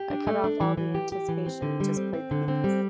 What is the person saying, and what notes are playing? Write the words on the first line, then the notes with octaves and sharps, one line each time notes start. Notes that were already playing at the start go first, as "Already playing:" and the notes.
I cut off all the anticipation and just played the beats.
Already playing: G4
D4
A3
D4
E3
E3
G4
G4
E3
C4
D3
G3
C4
C4
D3
C4
G3